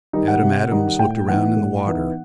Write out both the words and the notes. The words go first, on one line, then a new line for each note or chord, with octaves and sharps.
Adam Adams looked around in the water.
D#3 G3 D#4
F#5
C3
D#3 G3 D#4
A2 G5
E3 B3 D#4 F#5
A2
E3 B3 D#4